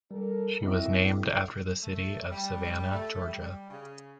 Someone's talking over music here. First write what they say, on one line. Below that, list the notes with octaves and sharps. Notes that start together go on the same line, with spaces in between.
She was named after the city of Savannah, Georgia.
G3 D4 A4 A#4
C4 E4 F#4 D#5 E5
A2
A3
G3
A3
G3
C#3